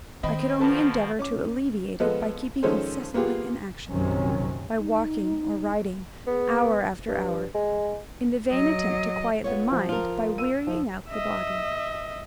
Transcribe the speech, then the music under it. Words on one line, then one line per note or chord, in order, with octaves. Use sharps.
I could only endeavour to alleviate it by keeping incessantly in action; by walking or riding, hour after hour, in the vain attempt to quiet the mind by wearying out the body.
D#3 C4 D#5 B5
B2 F3 A4 B4 A5
C#4 D6
F3 G#3 B3 A4 B4 D#5
D#3 F3 G#3 C#4 A4 C5
A#3 B3 F4 G4 G#4
A#1 F#2 C3 D#3 C#4
D#4
B3 G#4
G2
G#3
F#3 D#5
B3 F4 C#5
F3
F4 A#4
E6 D#7
F3
D#5 E5